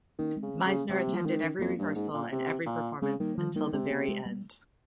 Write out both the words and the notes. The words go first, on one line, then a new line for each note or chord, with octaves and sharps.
Meisner attended every rehearsal and every performance until the very end.
D#3 A#3 C#4
G#3 C4
C#3
G#3 C4
C#3
A#3 C#4
C3 G#3 C4
G3 A#3
F3
D#3 G#3 C4
C#4
F2 A#3 C#4
G2
G#2
A#2
C3
A#2
C#3 G#3 C4
D#3 G3 A#3
D#3 F3 G3
D#3 G3 A#3
C3 G#3 C4
C4
A#3 C#4
G#3 C4
G3 A#3